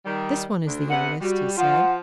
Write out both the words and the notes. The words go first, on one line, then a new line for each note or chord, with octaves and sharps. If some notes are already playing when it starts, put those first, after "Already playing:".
'This one is the youngest,' he said.
D#3 G3
D2 D4
C3 B3 F#5
G3 F#4
F3 F4 F#5